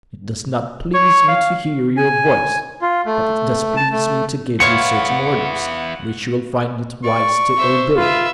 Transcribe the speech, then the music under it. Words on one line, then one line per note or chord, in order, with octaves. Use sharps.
"It does not please me to hear your voice, but it does please me to give you certain orders, which you will find it wise to obey."
C#5
F5
G#5
F4
A3
A5
A3
B3 E4 F4 C#5 F5 F#5 C#7
D5 C#6
C5 E5
F4 B4 E5